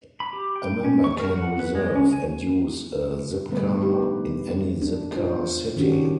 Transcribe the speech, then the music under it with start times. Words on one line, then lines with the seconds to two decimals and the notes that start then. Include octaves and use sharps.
A member can reserve and use a Zipcar in any Zipcar city.
0.20 B5
0.33 G4
0.56 G5
0.85 C#4
1.04 C#6
1.20 A#4
1.36 F#5
1.59 B4
1.75 G#3
1.96 C#4
2.13 G#5
3.49 D3 G3 A3 B3 B4
3.81 D4 D#4 G4
4.00 B3 B4
4.82 D4
5.16 F4 C5
5.76 D#3 C#4 D4 F#4 G4